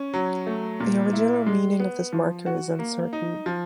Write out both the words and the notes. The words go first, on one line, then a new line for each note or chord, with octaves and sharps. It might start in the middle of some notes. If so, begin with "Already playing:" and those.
The original meaning of this marker is uncertain.
Already playing: C#4
F#3
A3
A#2
E4
G#3
B3
F3
F#4
A#3
D#4
F3